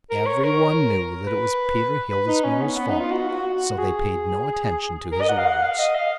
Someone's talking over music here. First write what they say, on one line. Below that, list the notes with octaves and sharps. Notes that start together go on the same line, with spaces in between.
Every one knew that it was Peter Hildesmuller's fault, so they paid no attention to his words.
A#4
C#5
A#4
B4
B4
D#4
C#4
B3
B3
D#4
F4
F#4
F#4
F#4
G#4
A#4
D#5
F#5
F5
F#5
F5
D#5
F5